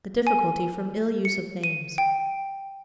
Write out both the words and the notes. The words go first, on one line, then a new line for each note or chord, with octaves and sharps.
The Difficulty from ill Use of Names.
G#5
C#7
D#7
G5